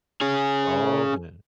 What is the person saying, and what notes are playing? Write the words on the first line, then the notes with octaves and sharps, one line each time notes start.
Oh, man.
C#4 G#4